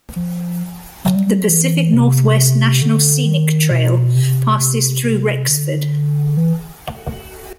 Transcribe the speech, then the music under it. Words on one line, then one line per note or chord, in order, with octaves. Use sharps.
The Pacific Northwest National Scenic Trail passes through Rexford.
F3
F#3
G3
G3
F#3
E3
C3
D3
D#3
B2
C3
C3
C3
D3
E3